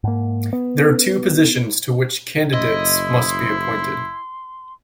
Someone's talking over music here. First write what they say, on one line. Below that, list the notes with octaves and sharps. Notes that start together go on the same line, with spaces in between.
There are two positions to which candidates must be appointed.
G#2 A#3
B3
F#1 E4 D#5 C6